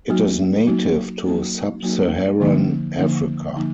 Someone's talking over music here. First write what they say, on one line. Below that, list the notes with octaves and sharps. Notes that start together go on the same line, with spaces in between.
It is native to Sub-Saharan Africa.
F#3 A#3 D#4 F#4
F#3 A#3 D#4 F#4
F#3 A#3 D#4 F#4
F#3 A#3 D#4 F#4
D3 F3 A#3 D#4
D3 F3 A#3 D#4
D3 F3 A#3 D#4